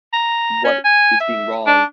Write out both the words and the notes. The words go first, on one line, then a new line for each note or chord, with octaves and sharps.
what is being wrong.
A#5
C#4
G#5
E5
D4